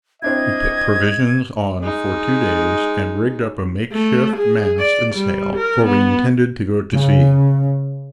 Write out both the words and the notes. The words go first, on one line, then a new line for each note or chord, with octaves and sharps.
We put provisions on for two days and rigged up a make-shift mast and sail, for we intended to go to sea.
C4 D4 E4 D#5 G#6
G#3 D#4
A3
G#4
D5
G3
A#4
B3
C#3